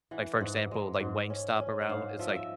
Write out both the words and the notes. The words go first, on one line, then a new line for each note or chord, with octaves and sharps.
like for example, like Wingstop, around w it's like
E3 F#5
G#2 F#5
G#3
G#2
C#4
C#4
F#5
G#2 F5
F3 E5
D#5
E5